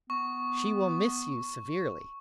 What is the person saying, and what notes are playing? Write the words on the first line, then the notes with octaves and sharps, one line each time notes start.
"She will miss you severely."
B3 C#6